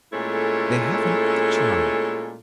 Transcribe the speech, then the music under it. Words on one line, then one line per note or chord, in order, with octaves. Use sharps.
They haven't the charm.
A#2 G#3 A3 C#4 E4 A4